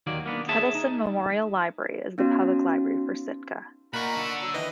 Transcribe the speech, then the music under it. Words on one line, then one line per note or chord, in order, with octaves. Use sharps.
Kettleson Memorial Library is the public library for Sitka.
D#2 D#3 F#3 A#3 D5
A#3 B3 D4
G#4 C#5 E5 A5
D#4
B3 C#4 D#4 F#4
A#2 D#4 A#4 F#5 B5 C#6
D4 A4
F#3 E6
D#3 E3 B4 D#5